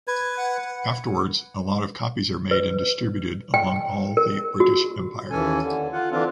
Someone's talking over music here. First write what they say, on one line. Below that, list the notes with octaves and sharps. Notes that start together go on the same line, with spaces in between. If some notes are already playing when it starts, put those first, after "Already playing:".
Afterwards a lot of copies are made and distributed along all the British Empire.
B4 G#6
F#5
B4
G5
A#4
F#4
D#2 E3 C#4 A4 G#5
D3
F4 F#5
D3 E3 C4 D4 F4